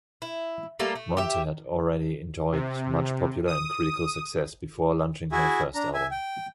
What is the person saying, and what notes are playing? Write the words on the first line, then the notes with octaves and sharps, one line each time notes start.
Monte had already enjoyed much popular and critical success before launching her first album.
E4
G3 A3 A#3 A4
A3
G4 E5
C3
D#6
E4 F#4 G#4 E5 G#5
D4 A#5
E5 G#5
G5